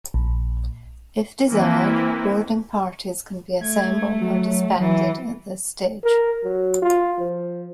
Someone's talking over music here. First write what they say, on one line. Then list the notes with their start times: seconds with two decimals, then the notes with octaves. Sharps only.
If desired, boarding parties can be assembled or disbanded at this stage.
0.14 A#1
1.49 E3 A#3 C4 E4
3.61 A3 G#6
4.21 F#3
4.79 E3 F#3
6.04 A#4
6.44 F#3
6.82 F4
7.19 F3